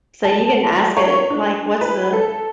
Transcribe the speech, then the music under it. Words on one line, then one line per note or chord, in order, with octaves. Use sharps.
So you can ask it, like, "What's the"
A5
C#5
D4
B4
A4